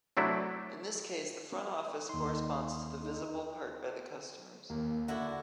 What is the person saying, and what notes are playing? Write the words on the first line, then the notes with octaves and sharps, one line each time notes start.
In this case, the Front Office corresponds to the visible part by the customers.
C3 F#3 A3 D4 E4
D#2 D#4 C6
D#4
D#2 A#3
D3 D4 E4 F#4